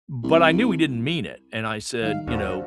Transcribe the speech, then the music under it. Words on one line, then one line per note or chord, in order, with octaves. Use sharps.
but I knew he didn't mean it, and I said, you know,
C2
D#3 G3 D#4 F5
D#2 D3 F3 F#4 F6